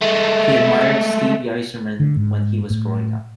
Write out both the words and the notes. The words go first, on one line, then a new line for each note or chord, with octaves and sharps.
He admired Steve Yzerman when he was growing up.
G#3 A3
D3
G#2
A2